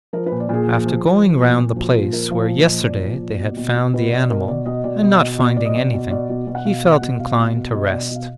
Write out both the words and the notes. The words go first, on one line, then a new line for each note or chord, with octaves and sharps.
After going round the place where yesterday they had found the animal and not finding anything, he felt inclined to rest.
F3 A#4
B4
A#2
D5
A#2 G#4
F3
F3
F3
F3
A#2
A#2
F3 F#4
A#2 F4
F3 A#4
F3 F5
A#2
D#5
A#2
F3 D5
A#2
A#2
B2
B2
B2
B2 B4
B2 D5
B2 A#4
B2 D5
B2 D#5
B2 D5
B2 D#5
B2
B2
B2 D5
D#5
B2 D5
B2
B2 D5
B2
B2
F#5
B2 F5
B2
F#5
B2
B2 F5
B2
B2
B2 D#5
B2 D5
D#5
B2 F5